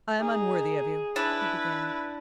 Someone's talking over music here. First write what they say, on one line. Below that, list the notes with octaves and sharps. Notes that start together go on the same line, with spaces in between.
"I am unworthy of you," he began.
D#4 G#4
D4 E4 B4